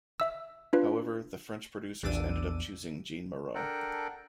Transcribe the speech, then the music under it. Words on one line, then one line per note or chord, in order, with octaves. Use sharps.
However, the French producers ended up choosing Jeanne Moreau.
E5 E6
D4 F4 B4
A#1 E2 D4 D6 E6 D#7
D4 A4 A#4 F#5 G5